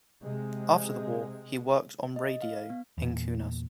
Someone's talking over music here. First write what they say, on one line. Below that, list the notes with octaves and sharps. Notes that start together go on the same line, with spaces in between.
After the war, he worked on radio in Kaunas.
C3 G#3
D#5
F5
B3
E2 A#2